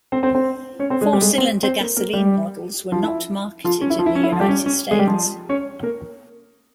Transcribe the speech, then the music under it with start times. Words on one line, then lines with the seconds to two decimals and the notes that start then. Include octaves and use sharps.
Four-cylinder gasoline models were not marketed in the United States.
0.12 C4 C5
0.23 C4 C5
0.35 C4 C5
0.79 C#4 C#5
0.90 C4 C5
1.01 G#3 G#4
1.13 G3 G4
1.21 G#3 G#4
1.38 C4 C5
1.63 C4 C5
1.80 A#3 A#4
1.97 A#3 A#4
2.13 G3 G4
2.92 F3 F4
3.03 E4
3.64 F3 F4
3.81 C#4
3.90 E4
3.99 F3 F4
4.06 E4
4.15 C#4
4.23 E4
4.32 F3 F4
4.40 G3 G4
4.48 C#4
4.66 C#4
4.91 G#3 G#4
4.99 G3 G4
5.07 F3 F4
5.49 C#4 C#5
5.83 A#3 A#4